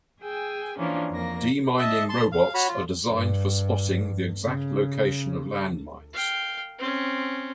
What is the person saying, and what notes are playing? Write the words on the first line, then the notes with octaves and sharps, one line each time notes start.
Demining robots are designed for spotting the exact location of land mines.
G#4 G5 G#5 E6
E3 F3 A#3 C#4 D4
F2 A#3 A#6
D#5 E5 A5
A5 C6
F5
F#4 C#5 B5
F4
G2
C#3
F5 G5
C4 C#4